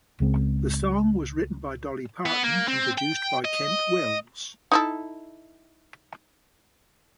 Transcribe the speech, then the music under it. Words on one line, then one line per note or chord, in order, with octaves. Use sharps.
The song was written by Dolly Parton and produced by Kent Wells.
C#2 C#3 G#3 C4
B3
A#3
C4
G5
D#5
D#4 E4 A4